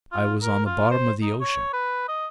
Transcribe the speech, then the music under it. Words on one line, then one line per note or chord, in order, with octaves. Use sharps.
I was on the bottom of the ocean.
F4
A#4
F4
C5
D#4
C#5
B4
D#5